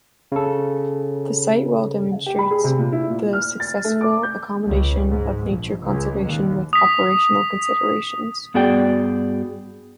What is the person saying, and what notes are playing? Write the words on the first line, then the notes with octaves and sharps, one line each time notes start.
The site well demonstrates the successful accommodation of nature conservation with operational considerations.
C#3 A4
G4
B5
G#4
C3
A#2
E4
A#2
F6
A6
A3
D6
G6
C#2
G#2
A#1
C#2
D#2
D#6 B6
G2 B3 F#4 G#4 D5 G5